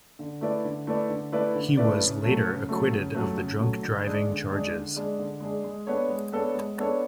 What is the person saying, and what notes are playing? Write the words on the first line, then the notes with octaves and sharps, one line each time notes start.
He was later acquitted of the drunk driving charges.
D3
A3 E4 B4 D5
D3
A3 E4 B4 D5
D3
A3 E4 B4 D5
D3
A3 E4 B4 D5
C#3
F#3 A3
C#3
F#3 A3
C#3
F#3 A3
C#3
F#3 A3
D3
G#3 D4 G#4
D3
G#3 D4 G#4
D3
G#3 D4 G#4
D3
G#3 D4 G#4
G#3
B3 D4 A4 C#5
G#3
B3 D4 A4 C#5
G#3
B3 D4 A4 C#5